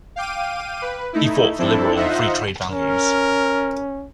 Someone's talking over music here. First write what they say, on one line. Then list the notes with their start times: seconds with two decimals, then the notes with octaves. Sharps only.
He fought for liberal and free-trade values.
0.16 F5 G5 D6 D#7
0.82 B4
1.13 A3 D#4 E4
1.58 F3 C4 D4 E4 A4
1.95 D#4 F4 C5 D#5 E5 F#5
2.71 C#4 A#4